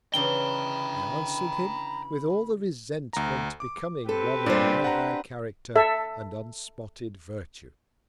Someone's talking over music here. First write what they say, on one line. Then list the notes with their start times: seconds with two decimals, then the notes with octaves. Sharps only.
I answer'd him with all the Resentment becoming one of my high Character and unspotted Virtue.
0.14 C#3 E3 D4 G5 A#5 B5 G7
3.13 D2 A#5
3.60 D6
4.09 C4 G4 A4 B4
4.46 A#2 G3 D4 C5
4.84 F#5 A#5
5.76 A4 E5